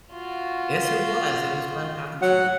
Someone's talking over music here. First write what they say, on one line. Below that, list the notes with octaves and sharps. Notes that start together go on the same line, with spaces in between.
Yes, it was, it was fun talking to you.
F4 F#4
F#3 F#5